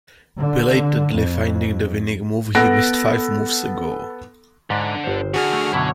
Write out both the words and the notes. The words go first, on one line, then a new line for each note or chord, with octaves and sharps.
Belatedly finding the winning move he missed five moves ago.
D3
F2
B3 A4 F#5 F#6 A#6 D7
G#2 D3 D4
G1 C5
D3 F#4 G#4 F6
A3
F#2 B2 D3 E4 C#5